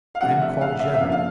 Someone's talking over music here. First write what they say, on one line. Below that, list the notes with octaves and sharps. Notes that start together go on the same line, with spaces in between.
"I am called Jetta."
F5
C3 F3 A3 D4 F#5
E5
F5
E5
E5
C#3 F3 A#3 D4 F5
F5